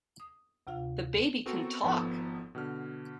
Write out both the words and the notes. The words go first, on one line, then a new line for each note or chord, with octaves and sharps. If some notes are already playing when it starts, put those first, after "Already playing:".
The baby can TALK!
D#6
D2 C3 F4 F5
B3 C4 F#4 A4 A#4
G#1 F3 B3 D#4 A4
B2 D3 F6